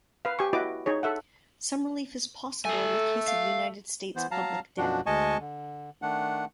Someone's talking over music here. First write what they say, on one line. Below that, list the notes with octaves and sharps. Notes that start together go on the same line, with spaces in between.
Some relief is possible in the case of United States public debt.
B4 F5
G4 G#5 C#6
E4 F#4 B4 D#5 D6
D#4 G#4 C#5
A4 E5 F#5
A3 A4 G#5
F5
E3 B3 C5
F#3 F5 A5 A#5
F#2 B2 F3 D4 F#4
D2 G#3 D#5 G#5 A5 C#6
D3
D#3 A3 D4 F#5